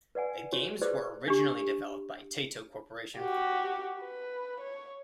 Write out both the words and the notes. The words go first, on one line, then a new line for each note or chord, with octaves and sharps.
The games were originally developed by Taito Corporation.
B4 D5 F#5 G#5
F#4 G4 C#5
G4 G#4 B4 C5 D5
D4 G4
F#4 G4
B4
C#5